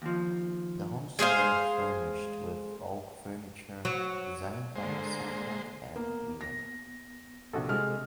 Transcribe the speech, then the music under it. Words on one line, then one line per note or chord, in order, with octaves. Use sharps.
The homes were furnished with oak furniture designed by Silcock and Reay.
D#2 F3
G#3 G#4 C5 F5
F#3
D3 G#3 A#3 C5
A#3 B3
A#6
A#1 C3 F#4 A4
G#3 F6